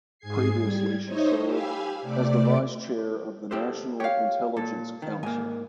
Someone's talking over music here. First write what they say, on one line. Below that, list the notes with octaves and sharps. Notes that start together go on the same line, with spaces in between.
Previously she served as the Vice Chair of the National Intelligence Council.
G#2 G#4 G#6 C7
G3 G#6
D#4 C5 C#5 D#5 E5
G4 F5 G#5 B5 E6
C3 A3 D5 D6
G4 A4 C5
G4 C#5 F5
A#2 A4
D#3
G#2 A#3 G#5